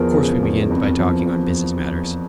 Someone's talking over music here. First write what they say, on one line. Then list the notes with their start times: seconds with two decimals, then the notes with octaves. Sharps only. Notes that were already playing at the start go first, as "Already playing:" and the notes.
Of course, we began by talking on business matters.
Already playing: E2 F3 A#4
0.14 C#3
0.43 E2
0.71 F2
0.99 F3